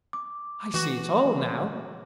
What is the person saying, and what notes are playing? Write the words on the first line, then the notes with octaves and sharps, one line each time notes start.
I see it all now.
D6
E3 F#4